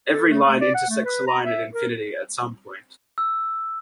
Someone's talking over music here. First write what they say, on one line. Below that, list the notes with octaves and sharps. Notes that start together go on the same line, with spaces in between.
Every line intersects the line at infinity at some point.
A4
A3
A3
D5
F#5
A3
B4
A#5
E5
A#4
E6